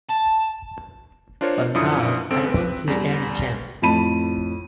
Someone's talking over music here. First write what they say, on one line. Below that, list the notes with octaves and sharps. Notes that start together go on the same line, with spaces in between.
But now, I don't see any chance.
A5
D4 F4 A#4 C5 C#5
F#2 F3 D4 E4 D#6 C#7
G#1 C4 A4 D7
C4 B4
E2 G3
F2 A2 A5 B5 D#7